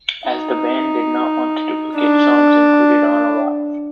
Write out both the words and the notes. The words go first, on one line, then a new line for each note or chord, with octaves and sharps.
As the band did not want to duplicate songs included on Alive!
D#4
D4